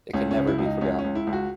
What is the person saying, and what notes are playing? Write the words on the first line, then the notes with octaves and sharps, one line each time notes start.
It never can be forgotten.
C#2 C#4
C#4
C#3
E4
C#2
D#4
C#2 C#4
C#4
C#2
E4
C#2
F#4